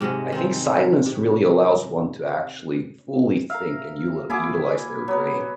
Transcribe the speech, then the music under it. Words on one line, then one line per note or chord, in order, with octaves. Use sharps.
I think silence really allows one to actually fully think and u u utilize their brain.
G#2 C3 F#3 G#3
D#3 C4
C3
A#4 E5 F5
A#3 E4 F#4 G#4 D6
F#3 B3